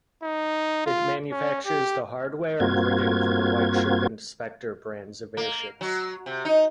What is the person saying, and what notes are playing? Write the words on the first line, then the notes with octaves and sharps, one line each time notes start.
It manufactures the hardware and rigging for the Lightship and Spector brands of airships.
D#4
F4
C#4
G4
G2 A#3 C4 F4 F#4 G#6
A#3
F#3
C3
D#4